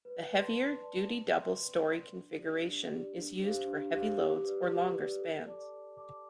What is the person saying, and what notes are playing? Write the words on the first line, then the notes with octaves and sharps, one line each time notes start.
The heavier duty double-storey configuration is used for heavy loads or longer spans.
B4
D5 A5 C6
B4
D5 A5 C6
B4
D5 G5 C6
B4
D5 G5 C6
D4
G4 D5
D4
G4 D5
D4
G4 C5 F5
D4
G4 C5 F5
G4
B4 D5
G4
B4 D5
A4
D5 A5 D6
A4
D5 A5 D6